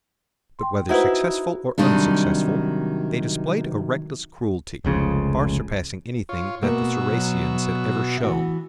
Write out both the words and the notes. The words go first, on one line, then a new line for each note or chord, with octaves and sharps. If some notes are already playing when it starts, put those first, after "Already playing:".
But whether successful or unsuccessful, they displayed a reckless cruelty, far surpassing anything that the Saracens had ever shown.
G5 C6
D#4 E4 F#4 B4 C5 F#5
C3 D#3 F#3 G3 D4
F1 C#2 C#3 F3
F4 C#5
B2 A#3 F#4 E5
F#3
E3 B3 F#4